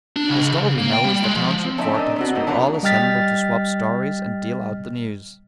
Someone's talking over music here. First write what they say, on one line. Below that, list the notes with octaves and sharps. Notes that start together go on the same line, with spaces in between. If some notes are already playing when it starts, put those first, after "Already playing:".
The store we know is the township vortex where all assemble to "swap stories" and deal out the news.
D4
C#2
C#3
A#3
G5
G3
G#3
F3
C4
A3 C4 C#4 D#4 D5 E5
D4 A#4 D#5
B3 C4 F#4
A3 A#3 C4 D#4
F3 D4 F#4 A#4 B4 C#5
G3 D#5 G5 F6 A6 B6